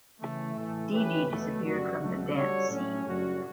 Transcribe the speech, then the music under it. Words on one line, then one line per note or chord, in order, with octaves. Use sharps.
Dee Dee disappeared from the dance scene.
C#3 E3 A3
A2 E3 A3
E3 A3 C#4 G4 B4
E2 B2 A3
F#2 E3 G3 D4 F#4
C#2 B2 F#3 A3
G3 D4 F#4 A4 C#5
A2 F#3 C#4
F#2 C#3 G3 D4 F#4